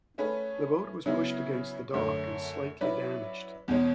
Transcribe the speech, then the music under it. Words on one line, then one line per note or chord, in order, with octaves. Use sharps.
The boat was pushed against the dock and slightly damaged.
A3 C#4 G#4 B4
C#3 F#3 B3 E4 G#4
F#2 D3 A3 C#4
F#3 C#4 E4 B4 D5
E2 B2 G#3 C#4